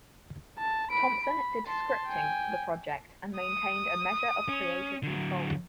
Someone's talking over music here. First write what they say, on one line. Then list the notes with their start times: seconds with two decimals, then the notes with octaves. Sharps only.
Thompson did scripting for the project and maintained a measure of creative control.
0.59 A5
0.91 B5 D7
1.24 B5
1.67 A5 C6
2.07 G5 G#5
3.37 D#6
4.49 C#4
5.03 D3 F#3